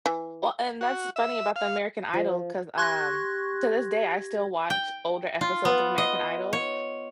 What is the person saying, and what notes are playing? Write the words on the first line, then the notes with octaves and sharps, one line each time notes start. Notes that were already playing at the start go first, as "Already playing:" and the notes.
Well, and that's funny about the American Idol 'cause, um, to this day I still watch older episodes of American Idol,
E3
F#4
E5
F5
F3
G4 C6 C#6 F#6 G#6 A#6
G5
F4
B3
D#5
C#5